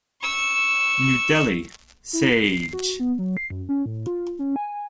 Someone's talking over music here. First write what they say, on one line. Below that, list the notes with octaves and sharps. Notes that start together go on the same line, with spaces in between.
New Delhi: Sage.
C#6 E6
E4
C7
F#4
B3
F#3
C7
F#2
C#4
A2
F4
C#4
G#5